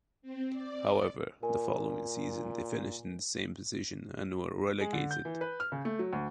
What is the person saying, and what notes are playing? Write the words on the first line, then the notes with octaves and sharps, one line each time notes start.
However, the following season they finished in the same position, and were relegated.
C4
D5
A#2 A#4 G#5
G#3
D3
G6
E3
B4
F6
C#3
A3
F#3
D2